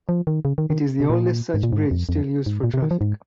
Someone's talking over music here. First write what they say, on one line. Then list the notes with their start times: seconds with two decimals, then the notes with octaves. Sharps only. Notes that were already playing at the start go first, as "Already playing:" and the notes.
It is the oldest such bridge still used for traffic.
0.09 F3
0.27 D#3
0.45 C#3
0.58 D#3
0.70 D#3
1.00 C3
1.10 A#2
1.54 G#2
1.63 A#2
1.73 G#2
1.91 F2
2.09 F2
2.46 G#2
2.64 A#2
2.74 C3
2.82 D#3
2.91 F3
3.01 G#2